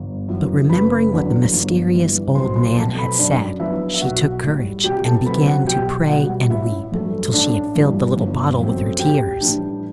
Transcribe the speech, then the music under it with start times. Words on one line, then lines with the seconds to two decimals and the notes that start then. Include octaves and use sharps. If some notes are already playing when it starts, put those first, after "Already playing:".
But remembering what the mysterious old man had said she took courage, and began to pray and weep, till she had filled the little bottle with her tears.
Already playing: G1
0.28 F#2 E3
0.70 F#1 B4 B5
1.12 E2 D3 F#3
1.53 G1
1.94 G2 E3
2.35 B1 C5 C6
2.56 C5 C6
2.77 B2 F#3 A3 C4 A4 A5
2.98 B4 B5
3.19 F#2 D4 D5
3.60 F#3 B3 D4 E4 E5
3.94 E5
4.02 B1 F#4 F#5
4.43 A2 G3
4.84 C2 G4 G5
5.05 A4 A5
5.26 C3 F#3 C4 B4 B5
5.47 F#4 F#5
5.67 B1 G4 G5
6.09 B2 G3 F#4 F#5
6.50 A1 E4 E5
6.92 G2 F#3 A3
7.34 A1 D4 D5
7.75 G2 E3 G3
8.17 G1
8.58 F#2 F#3 A3 C4
8.99 A1 G4 G5
9.41 A2 E3 G3 D4